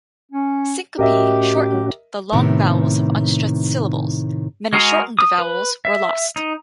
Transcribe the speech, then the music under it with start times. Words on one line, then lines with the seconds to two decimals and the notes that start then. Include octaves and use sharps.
Syncope shortened the long vowels of unstressed syllables; many shortened vowels were lost.
0.32 C#4
0.99 A2 C#4 F#4 G4 A#4 D#5 E5
2.33 A2 C3 D#3 B3
4.73 G#3 F#4 G#4 A#4
5.19 D#6
5.38 B4
5.85 E5
6.36 D#4